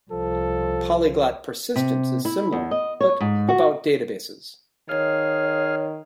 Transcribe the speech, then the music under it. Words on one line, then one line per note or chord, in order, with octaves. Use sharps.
Polyglot persistence is similar, but about databases.
C2 F3 A4
C3
E4
E2
D#5
C#5
G#2
F#4
D#3 G#4 C#5 F5 F6